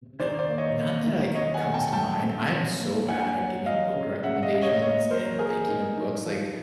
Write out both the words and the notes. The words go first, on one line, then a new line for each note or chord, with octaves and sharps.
Not not that, like, comes to mind I'm so bad at giving book recommendations and thinking of books, like,
D#3 C5 D5
C5 D5
A#3
C#5 D#5
A#3
D#3
F#3 C#5 D#5
F#5 G#5
A3
G5 A5
A3 G5 A5
C4
F#3
A#3
D4 F#5 G#5
F#3
F#3 D#5 F5
C#3
C#3 E5 F#5
D#5 F5
C#3
C#5 D#5
A#3 C#5 D#5
F#3 A#4 C5
F#3 G#4 A#4
D#4
D#4
F3